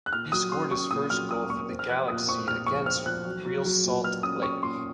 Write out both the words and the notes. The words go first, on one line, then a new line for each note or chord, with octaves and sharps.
He scored his first goal for the Galaxy against Real Salt Lake.
F#6
A#2 F6
F#3 D#6
C#4 C6
C#4 C#6
A#2 D#6
F#3 F6
F#3 D#6
A#3 C#6
C4
F6
F3 F#6
A#2 D#6
C4 C#6
A#2 F6
F3 C#6
C4 F6
F3 F#6
F#3
F#3
F#3
A#2
F#3 F6
C#4 D#6
C#4 C#6
A#2 C6